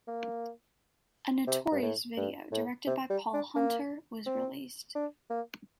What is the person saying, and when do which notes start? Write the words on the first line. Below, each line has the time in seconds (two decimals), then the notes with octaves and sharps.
A notorious video directed by Paul Hunter was released.
0.08 A#3
1.47 C3
1.72 G2
1.82 A2
2.17 G2
2.52 A2
2.87 C3
3.10 G3
3.34 D4
3.56 A#3
4.26 C4
4.95 D4
5.30 A#3